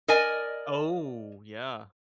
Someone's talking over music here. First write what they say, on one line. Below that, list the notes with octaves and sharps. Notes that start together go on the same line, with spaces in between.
Oh, yeah.
A#4 D5 D#5 G#5